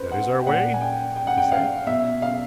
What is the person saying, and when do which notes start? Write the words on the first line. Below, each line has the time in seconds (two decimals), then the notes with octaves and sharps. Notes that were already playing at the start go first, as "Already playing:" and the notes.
"That is our way," he said.
Already playing: B4 C5
0.12 F#5
0.39 G5
0.46 A#2 F#5
0.74 G#5
0.81 G5
1.16 G5
1.27 F#5
1.38 G5
1.52 F5
1.87 B2 E5
2.22 F5